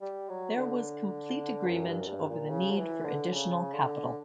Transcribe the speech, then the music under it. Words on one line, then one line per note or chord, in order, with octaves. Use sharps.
There was complete agreement over the need for additional capital.
G3
F#3
D3
F#2
G2
F#2
G2
A#2
C#3
F#3
E3
D3
C#3
D3